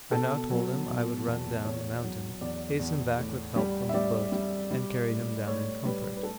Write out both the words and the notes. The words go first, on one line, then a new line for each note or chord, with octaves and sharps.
I now told him I would run down the mountain, hasten back with help from the boat, and carry him down in comfort.
B2 A4
F#3
B2
E2
E2 C#5
F#3
E2 D5
E2
A2
G3
E5
G3 D5
G3
G3
A2
A2 C#5
G3 B4
B4
A3 A4